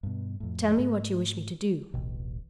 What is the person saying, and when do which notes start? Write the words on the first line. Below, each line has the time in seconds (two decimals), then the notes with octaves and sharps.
Tell me what you wish me to do.
0.03 G2 B2
0.40 F2 A2
0.77 G#2 A3
1.94 D1 A1 B2